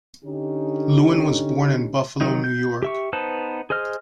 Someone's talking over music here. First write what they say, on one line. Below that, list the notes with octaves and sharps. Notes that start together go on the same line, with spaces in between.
Lewin was born in Buffalo, New York.
D3 C#4 D#4 G4
D#3 F#3 D#4
G6
G4 E5 C#6
B3 D#4 B4 C5 A5
G#4 C5 D#5 F6